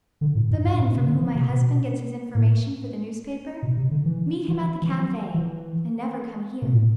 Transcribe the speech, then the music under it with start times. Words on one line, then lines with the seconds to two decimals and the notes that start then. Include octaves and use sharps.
The men from whom my husband gets his information for the newspaper meet him at the cafe, and never come here.
0.21 D3
0.35 A2
0.50 F#2
0.64 G2
0.75 A2
0.96 C3
1.07 D3
1.21 E3
1.35 C3
1.49 B2
2.35 A2
3.62 B2
3.77 C3
3.91 D3
4.05 E3
4.48 E3
4.82 E3
4.91 F#3
5.34 E3
6.62 B2
6.72 A2